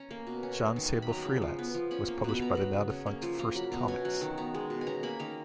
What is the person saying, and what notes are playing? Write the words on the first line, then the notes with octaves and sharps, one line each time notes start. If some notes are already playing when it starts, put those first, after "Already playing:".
"Jon Sable Freelance" was published by the now-defunct First Comics.
Already playing: C#4 A#5
A#3
B2
C#4
F#3
D#3
A#3
B5
F#3 A#5
C#3 B5
F3
B3
F3
C#4 B5
A#3
B2 B5
B3 A#5
F#3 B5
C#3
C#4
A#3
F3
A#3 A#5
F#3 B5
B2 A#5
C#4 G#5
F#3 F#5
D#3
B3 A#5
G#3
B2
G#5
C#4 A#5
A#3 B5
D#3 A#5